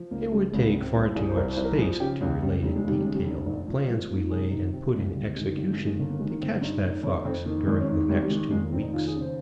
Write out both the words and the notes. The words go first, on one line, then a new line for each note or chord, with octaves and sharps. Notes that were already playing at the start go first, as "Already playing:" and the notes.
It would take far too much space to relate in detail the plans we laid and put in execution to catch that fox during the next two weeks.
Already playing: F3
C#2 A#3
C#3 G3
C#2 G#3
G#3
C#2
C4
C2 C4
C2 G#4
C5
C2 A#4
C5
C2
A#4
F3 G#4
C#3 G4
C#2 G#3
C#3 G3
F1 G3
G#3
D#2 G3
C#3 G#3
G3
F1
A#1
F3
F3 G#3
G#2 A#3
C3 G#4
D#3 D#4
C3 C4
C#2
G#3
G1 G3
D#3 G#3
G1 G3
G#3
D#3
G#3
G1 A#3
A#3
D#3 G#3
A#3
G1 C4
G2 D#4
F1 D#4
F2 C#4
F2 C4
D#3 A#3
G#1 G#3
C#4
G#2
G#1 G3
G3
D#3 G#3
D#2 G#3
A#3
F1 C4
D#4
D#2 F4
G#4
C#3
C5